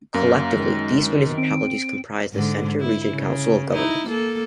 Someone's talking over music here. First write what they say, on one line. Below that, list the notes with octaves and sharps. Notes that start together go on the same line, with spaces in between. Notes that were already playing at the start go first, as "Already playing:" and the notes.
Collectively, these municipalities comprise the Centre Region Council of Governments.
F#2 A#3 A#6
D#3 G#3
C4 D7
G#2 D3
E4
C#3
D#4 E4
A#3 A4